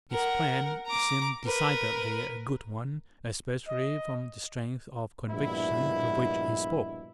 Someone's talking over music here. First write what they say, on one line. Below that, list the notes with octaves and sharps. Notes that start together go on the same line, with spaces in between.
His plan seemed decidedly a good one, especially from the strength of conviction with which he spoke.
A#4 F#5
A#5 D6
A#4 B4
D#5
A#1 G2 B2 E4